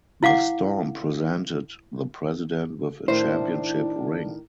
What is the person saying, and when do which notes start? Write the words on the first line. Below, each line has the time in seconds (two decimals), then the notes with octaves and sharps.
The Storm presented the President with a championship ring.
0.23 E4 F5 F#5 D6
3.08 A2 D#3 D4 E4 C5